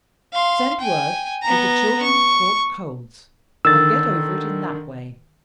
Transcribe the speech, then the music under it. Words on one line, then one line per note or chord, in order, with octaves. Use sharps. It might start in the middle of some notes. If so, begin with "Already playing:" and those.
"Send word that the children have caught colds, and get over it in that way."
F5 C6
G5 G#5
B3 A#5
C#6
D3 D#3 E6 A6